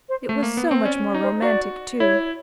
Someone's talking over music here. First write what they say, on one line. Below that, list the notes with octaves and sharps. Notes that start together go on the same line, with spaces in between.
It was so much more romantic, too.
C5
A3
A#3
B3
C4
C#4 D5
D#4
C5
F#4 D5
E4 C#5